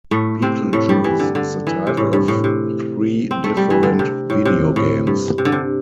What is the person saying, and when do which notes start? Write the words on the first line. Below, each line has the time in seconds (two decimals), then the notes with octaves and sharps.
Beetlejuice is the title of three different video games.
0.11 A2 A3
0.42 C3 C4
0.73 A2 A3
0.89 G2 G3
1.04 E3
1.19 D3
1.35 D3
1.67 E3
1.87 C3
1.97 A2
2.13 G2
2.28 A2
2.44 C3
3.31 C4
3.44 A3
3.57 G3
3.70 E3
3.83 D3
3.99 C3
4.30 A2
4.45 C3
4.76 A2
5.07 G2
5.38 C3
5.45 D3
5.52 C3